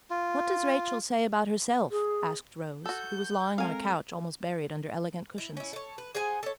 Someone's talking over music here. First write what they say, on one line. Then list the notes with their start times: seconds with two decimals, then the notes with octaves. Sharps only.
"What does Rachel say about herself?" asked Rose, who was lying on a couch almost buried under elegant cushions.
0.10 F4
1.91 G#4
2.86 F#4 A4 G6
3.58 G#3 C4 A4 A#4 F5 G#5
5.38 E4
5.57 C#4 E4
5.73 A4 C#5
5.98 B4
6.15 G#4 C5 F#5 G#5
6.43 A4 C#5